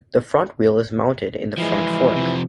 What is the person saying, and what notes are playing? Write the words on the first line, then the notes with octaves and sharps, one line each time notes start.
The front wheel is mounted in the front fork.
E3 F3 G#3
C3 F3